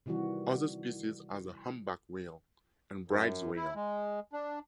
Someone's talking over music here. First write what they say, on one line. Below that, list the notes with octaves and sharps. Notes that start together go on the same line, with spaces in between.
Other species are the humpback whale and Bryde's whale.
C3 D#3 E3 G3 F#4
F#2
E4
G#3
D4